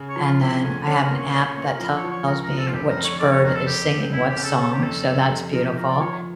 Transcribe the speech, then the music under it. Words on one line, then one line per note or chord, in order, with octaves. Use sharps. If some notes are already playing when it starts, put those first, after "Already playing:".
and then I have an app that tells me which bird is singing what song, so that's beautiful,
Already playing: C#3
C#5
F3
F4
C#3 E4
D2 C#4
C#4 D4
A#4
A#2
C#5
C#4 D5
C#5
A#2 C#5
A#4
F3 A#4
C#5
F3
C#5
C#2 A#4
A#4
F3
A4
F4
F1 G4
A#4
F2
C#5
F1 D5
C#5
F2 A#4
A4
E1 G4
E1
E1 E4
G4
C#3
A4
C#4 A4
G4
F2 A4
G3
F2
F3 A#4
G4
F3 A#4
D5
F3 C#5